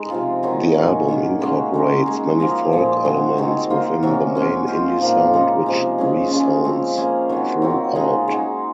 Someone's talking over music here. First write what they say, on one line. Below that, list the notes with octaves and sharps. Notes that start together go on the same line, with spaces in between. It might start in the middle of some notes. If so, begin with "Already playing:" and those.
The album incorporates many folk elements within the main indie sound which resounds throughout.
Already playing: G#3 D#4
C3 F3 C4 F4
D#3 F#3 C4 D#4
A#2 G#3 C#4
D#3 F#3 A#3
C#3 G#3 C#4 F#4
G#3 D#4 A#4
G#3 D#4 G#4
F3 A#3 D#4 A#4
A#2 F3 G#3
G#3 C4 F#4
D#3 G#3 C4 D#4
A#3 F4 C5
C3 F#3 C#4
G#3 C#4 F#4 A#4
F3 C4 F4 C5
A#2 F3 A#3 D#4
C#3 G#3 D#4
C3 F3 G#3 D#4
C#3 G#3 C#4 G#4
C#3 F3 G#3 C#4
F3 G#3 C4
A#3 C#4 G#4 C5
D#3 F#3 C4 F#4
F#3 C4 F4
C#3 G#3 D#4 G#4
G#3 D#4 F#4